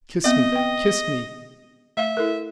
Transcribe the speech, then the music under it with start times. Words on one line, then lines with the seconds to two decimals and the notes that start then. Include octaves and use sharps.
Kiss me, kiss me!
0.24 B3 C4 D#5 E5
0.52 B4 G5
1.97 A3 E5 F5
2.17 E4 A4 A#4